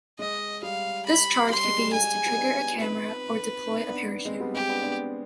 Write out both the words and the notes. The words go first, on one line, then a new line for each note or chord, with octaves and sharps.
This charge can be used to trigger a camera, or deploy a parachute.
G#3 D#5
G3 F5
B5
G3 C6
G#3
G3
G#3 G#5
G3
G#3
G3 B3
D#4
B3 D4
F4
C4 D#4 B4
C4 D#4
B3 D4
B3 D4
G#3 C4
G3 B3
G#3 C4 G4
B3 D4
B3 D4